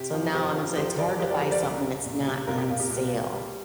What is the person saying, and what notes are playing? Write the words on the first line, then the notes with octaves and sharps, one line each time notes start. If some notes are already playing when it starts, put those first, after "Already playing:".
"So now I'm" It's hard to buy something when it's not on sale.
Already playing: C3 G4
F3
C3 G4 C5
F3
C2 G4 C5
F3 A#4 D5
F3 G4 C5
A#4 D5
C2 G4 C5
A#4 D5
C2
C2
A#2
G3
A#2 F4 A#4
G4
A#2 F4
G4
C2
C2
G3